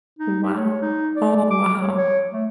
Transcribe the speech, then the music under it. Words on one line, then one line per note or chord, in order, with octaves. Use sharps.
Wow. Oh wow.
D#4
G4
C#5
D#4
D5
D6
C#5
C#5
A3